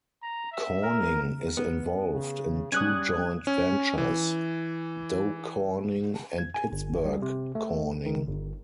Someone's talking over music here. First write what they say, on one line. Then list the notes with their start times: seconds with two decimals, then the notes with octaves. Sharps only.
Corning is involved in two joint ventures: Dow Corning and Pittsburgh Corning.
0.23 A#5
0.52 E5
0.83 A#4
1.57 B3
2.07 C#3
2.72 G3 C#4 D#6 F#6 G#6
3.47 C#4
3.98 E3
6.38 G#6
6.54 G#5
6.72 G1
7.05 G3
7.22 C3
7.55 A3
8.06 D#3
8.28 G1